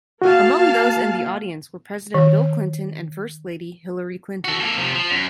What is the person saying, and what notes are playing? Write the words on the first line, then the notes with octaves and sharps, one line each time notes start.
Among those in the audience were President Bill Clinton and First Lady Hillary Clinton.
A#3 F#4 F5 A5
D#3
F#4 A4
A#3 A4
C3 F3
F3
F#2